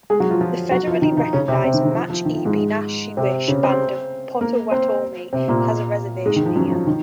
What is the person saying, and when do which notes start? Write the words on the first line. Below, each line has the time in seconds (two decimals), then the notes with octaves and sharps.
The federally recognized Match-E-Be-Nash-She-Wish Band of Pottowatomi has a reservation here.
0.10 G#3 G#4
0.20 F#3 F#4
0.30 F3 F4
0.41 F3 F4
0.71 F#3 F#4
0.87 F3 F4
1.02 D#3 D#4
1.17 D#3 D#4
1.33 C#3 C#4
1.48 C3 C4
1.63 C3 C4
1.74 D#3
1.85 D#3
1.95 F3
2.10 F3
2.25 D#3
2.35 F3
2.45 G#2 G#3
3.17 C3 C4
3.48 C#3 C#4
3.63 C4 C5
4.41 A#3 A#4
4.71 C4 C5
5.33 C3 C4
5.48 A#2 A#3
6.26 G#2 G#3
6.36 D#3
6.46 F3
6.56 F#2 F#3
6.72 F3
6.87 D#3